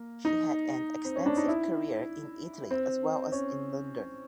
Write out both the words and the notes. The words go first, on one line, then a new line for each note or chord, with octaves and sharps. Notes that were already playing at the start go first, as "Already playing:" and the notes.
She had an extensive career in Italy as well as in London.
Already playing: A#3
D#4
C4
C#4
D4
D#4
E4
C4
C#4